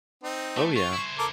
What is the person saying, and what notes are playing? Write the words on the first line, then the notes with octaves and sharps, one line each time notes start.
Oh yeah.
C4 D#4
A3
F4 C#6
E4 C5
A4 A#4 D6